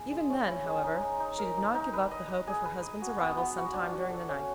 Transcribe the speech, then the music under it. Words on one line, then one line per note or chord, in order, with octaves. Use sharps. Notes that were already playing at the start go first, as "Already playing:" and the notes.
Even then, however, she did not give up the hope of her husband's arrival sometime during the night.
Already playing: E4 G#4
G#3
C#4
E4
G#3
D#4
D#4
D#4
A#4
D#4
D#4
B4
D#5
D#5
G#4
B4
D#5
F#4
B3
B3
F#4
D4
F#4
A4
C#4